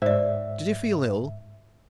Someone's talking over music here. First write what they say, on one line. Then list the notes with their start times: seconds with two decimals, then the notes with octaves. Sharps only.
"Did you feel ill?"
0.02 G#2 C5 D5 E5